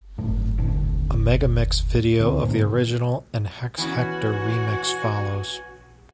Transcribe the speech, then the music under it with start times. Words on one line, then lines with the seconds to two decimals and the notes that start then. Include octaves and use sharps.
A megamix video of the original and Hex Hector remix follows.
0.18 G#1 F#2 A2 A3
0.58 D#1 C2 A2 D3
2.19 C#2 D3 C4
2.44 G#2 B2 D#3 A#3
3.78 E3 B3 C#4 F#4 G#5